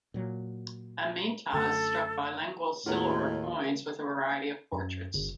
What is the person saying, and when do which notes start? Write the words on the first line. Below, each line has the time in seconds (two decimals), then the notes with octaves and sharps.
Amyntas struck bilingual silver coins with a variety of portraits.
0.14 A#2 F#3
1.53 F#2 D3 A3 A4
2.86 D#2 A2 G#3 B3 F4 F#4 A#4
4.73 F#2
5.14 G1